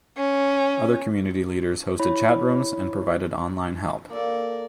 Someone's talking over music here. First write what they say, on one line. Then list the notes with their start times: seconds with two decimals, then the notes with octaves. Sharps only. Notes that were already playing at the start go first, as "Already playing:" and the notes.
Other community leaders hosted chat rooms and provided online help.
0.17 C#4
2.00 E4 C#5 B5
4.10 A#3 A4 A#4 D5